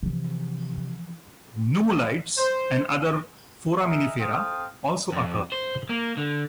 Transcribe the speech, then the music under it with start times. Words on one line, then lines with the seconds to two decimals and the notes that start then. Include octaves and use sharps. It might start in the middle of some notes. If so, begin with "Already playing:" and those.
Nummulites and other foraminifera also occur.
0.03 C3 E3 F3
2.37 C5
3.83 D#4 G#4 A#4 D#5 E5
4.19 C4 A4 F5 G5 D#6
5.12 F2
5.52 C5
5.89 A#3
6.17 D3